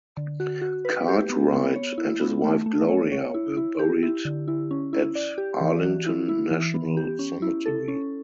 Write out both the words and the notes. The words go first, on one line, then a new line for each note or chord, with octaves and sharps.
Cartwright and his wife Gloria were buried at Arlington National Cemetery.
D3
F#4
F#4
B4
G4
B3
B3
C#5
E4
B3
A3
A3
C#5
C#5
E4
E4
G4
E4
D3
E4
C#4
E4
D5
G4
E3
F#4
E4
E4
E3
B3
G4
C#4
E4
A4
C#4